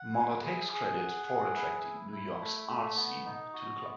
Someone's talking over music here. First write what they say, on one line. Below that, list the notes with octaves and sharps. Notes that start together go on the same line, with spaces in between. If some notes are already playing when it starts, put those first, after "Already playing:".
Moller takes credit for attracting New York's art scene to the club.
Already playing: F#5
E4
G#4
G#4
F#5
G#4
E4
E4
E4
A3
A3
B3
D#4
F#4
B3